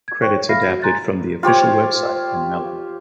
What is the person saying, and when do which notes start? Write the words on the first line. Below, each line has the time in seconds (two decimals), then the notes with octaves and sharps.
Credits adapted from the official website and Melon.
0.08 G#6
0.22 C5 G5 C#6 F#6
0.34 C#5
0.49 E5 F5 B5 F6 A#6 C7
0.63 F#4
0.82 G#5 A#5 C6 F#6 G6 A6
1.43 F4 G4 C5 C#5